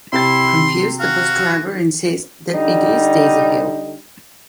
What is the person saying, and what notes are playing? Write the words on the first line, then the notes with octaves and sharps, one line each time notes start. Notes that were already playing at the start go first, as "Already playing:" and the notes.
Confused, the bus driver insists that it is Daisy Hill.
C3 E4 G4 C6 A6
F#4 F5
D3 G3 D#4